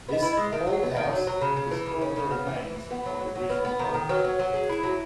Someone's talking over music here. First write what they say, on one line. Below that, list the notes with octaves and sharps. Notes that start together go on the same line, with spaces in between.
This hall-house is all that remains of the original College.
B3 D#5
E4
G#3 D#5
D#3 E5
F#3
F#5
B3
D#3 E5
F#3 C#5
F#3
C#3
C#3
E3
C#3
C#4
C#3
B3 B4
E3
E3
E3
B3
F#3
F#3
F#3
B3 B4
B3
D#3
D#3 A4
F#3 B4
C#4
F#3
G#4
E4
F#3